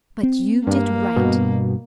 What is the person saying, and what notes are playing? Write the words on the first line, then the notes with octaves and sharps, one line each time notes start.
But you did right.
C4
G2 A#3
G2 B2